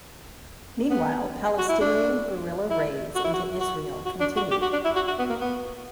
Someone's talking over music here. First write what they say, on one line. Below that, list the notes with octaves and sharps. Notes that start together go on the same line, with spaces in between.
Meanwhile, Palestinian guerilla raids into Israel continued.
B3
F#4
E4
D4
E4
F#4
E4
F#4
F#4
F#4
D4
F#4
G4
F#4
D4
E4
F#4
F#4
B3
A#3
B3